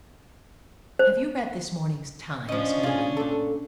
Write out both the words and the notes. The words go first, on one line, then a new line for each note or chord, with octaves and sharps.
"Have you read this morning's Times, Newland?"
C5
F3 C#4 D4 D#5
F4 G#4
A#2 A4